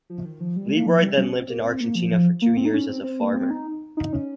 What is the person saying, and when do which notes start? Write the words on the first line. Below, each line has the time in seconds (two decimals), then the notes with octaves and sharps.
Learoyd then lived in Argentina for two years as a farmer.
0.10 F3
0.25 D#3
0.40 F3
0.56 G3
0.66 G#3
0.77 A#3
0.86 F3
1.02 G3
1.18 C#4
1.33 C4
1.49 A#3
1.64 C4
1.80 A#3
1.95 F3
2.11 F3
2.42 A#3
2.57 C4
2.65 D#4
2.74 C#4
2.89 C4
3.03 C4
3.20 A#3
3.35 C4
3.50 D#4
3.97 D#4
4.13 C#4